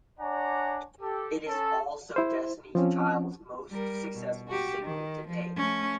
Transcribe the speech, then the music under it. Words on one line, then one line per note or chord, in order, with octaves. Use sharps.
It is also Destiny's Child's most successful single to date.
D4 C#5 D5 F#5 G#5 A#5
G4 A4
C#4 A4
E4 C5
F3 C4 C#4
G3 A#4
B2
F#4 G4
D#3
F3
A3 C#4